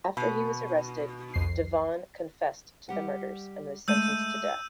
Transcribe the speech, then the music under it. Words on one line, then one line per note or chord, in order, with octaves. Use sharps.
After he was arrested, DeVaughan confessed to the murders and was sentenced to death.
B2 B5
C2 F2 C7
G3 G4 F#5
G#3 A3 E6 G6 D#7